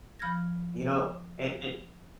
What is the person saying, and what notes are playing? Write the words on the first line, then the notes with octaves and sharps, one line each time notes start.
You know, it it
F3 B5 F6 G6 G#6 A#6